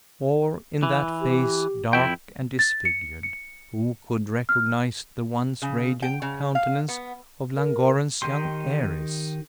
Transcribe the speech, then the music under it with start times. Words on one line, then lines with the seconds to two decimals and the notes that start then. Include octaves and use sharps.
Or in that face, dark and disfigured, who could recognise the once radiant countenance of Llangorren's young heiress?
0.83 E3
1.20 G4
1.93 F2 E4 G5
2.59 A6
2.85 C#7
3.23 C#7
4.49 F6
5.62 C#3
6.02 G5
6.22 C#3
6.55 F5
6.88 B3
7.57 A#4
8.22 D#3 D#4 G4 C6